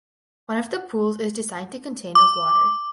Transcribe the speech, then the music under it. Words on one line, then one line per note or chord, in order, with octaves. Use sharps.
One of the pools is designed to contain of water.
D6